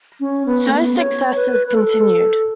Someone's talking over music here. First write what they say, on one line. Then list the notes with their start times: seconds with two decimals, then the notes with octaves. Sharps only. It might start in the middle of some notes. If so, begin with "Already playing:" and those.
Zuo's successes continued.
0.20 C#4
0.46 B3
0.67 A3
0.72 B3
0.97 C#5
1.36 B4
1.67 B4
1.74 A4